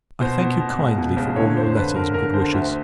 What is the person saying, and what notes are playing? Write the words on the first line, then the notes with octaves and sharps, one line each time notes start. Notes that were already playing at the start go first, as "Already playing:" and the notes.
I thank you kindly for all your letters and good wishes.
B2 C5
B2
B2
C#2
B2
C#2
D3 C#5
F2 C5
D3 B4
D3 A#4
D3 A#4
D3 C5
D2